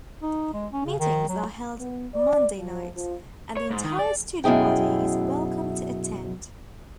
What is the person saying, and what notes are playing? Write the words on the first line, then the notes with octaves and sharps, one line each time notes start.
Meetings are held Monday nights, and the entire student body is welcome to attend.
D#4
G#3
C#4
C#3
D#3
F#3
B3
D5
F3
F3
C#5
G#2
D#3
D5
F#2 B2 E4 G#4 G5